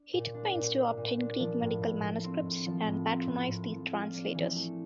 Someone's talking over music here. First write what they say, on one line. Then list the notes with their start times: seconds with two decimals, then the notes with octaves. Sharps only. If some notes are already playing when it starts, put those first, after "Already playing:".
He took pains to obtain Greek medical manuscripts and patronized the translators.
Already playing: D4
0.13 A#2
0.34 D4
0.55 A#2
0.76 D4
0.97 A#2
1.19 D4
1.40 F3
1.61 A2
1.82 A2
2.03 A2
2.24 C4
2.45 A2
2.66 F3
2.87 A2
3.08 C4
3.29 A2
3.50 A2
3.72 F3
3.93 F4
4.14 D4
4.35 E3
4.55 A3